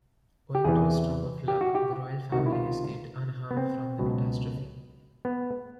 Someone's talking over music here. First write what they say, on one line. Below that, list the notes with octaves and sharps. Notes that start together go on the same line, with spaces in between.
Owing to a stroke of luck, the Royal Family escaped unharmed from the catastrophe.
G4
E2 C3 E3 G#4
G4
F#4
G4
C#2 C3 D#3 F#4
E4
F4
B3
C4
C#2 B2 F#3
B3